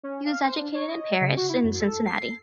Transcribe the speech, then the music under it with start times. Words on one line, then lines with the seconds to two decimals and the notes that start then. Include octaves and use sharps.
He was educated in Paris and Cincinnati.
0.03 C#4
0.26 F5
0.44 C5
0.58 D4
0.74 C#5
0.89 D#5
1.21 C#3
1.37 F#4
1.49 E4
1.64 F#2
1.80 A4
2.06 C7